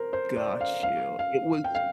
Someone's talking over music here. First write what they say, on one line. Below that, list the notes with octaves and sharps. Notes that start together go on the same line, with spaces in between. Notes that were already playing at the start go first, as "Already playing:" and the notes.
Got you, it was
Already playing: A#4 C5
C5
D5
F5
F5
F5
G5
F5